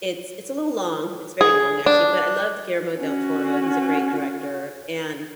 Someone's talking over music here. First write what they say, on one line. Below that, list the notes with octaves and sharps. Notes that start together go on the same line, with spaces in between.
it's it's a little long, it's very long, actually, but I loved Guillermo del Toro, he's a great director, and
G#4
D4
C#4 F#4